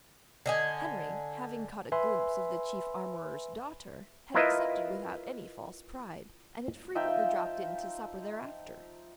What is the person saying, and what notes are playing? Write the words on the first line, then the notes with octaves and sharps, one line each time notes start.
Henry, having caught a glimpse of the Chief Armourer's daughter, had accepted without any false pride, and had frequently dropped in to supper thereafter.
D3 D#5 G#5
B4 E5 G#5 B5 C6
E4 F4 A#4 B4 D#5 E5
F3 D#4 E5 G5